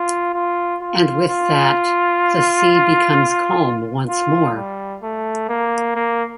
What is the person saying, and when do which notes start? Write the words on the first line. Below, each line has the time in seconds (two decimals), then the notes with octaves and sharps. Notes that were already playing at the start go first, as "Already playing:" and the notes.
And with that, the sea becomes calm once more.
Already playing: F4
0.34 F4
0.81 F4
1.28 F4
4.09 F4
4.56 G3
5.02 A3
5.49 A#3
5.96 A#3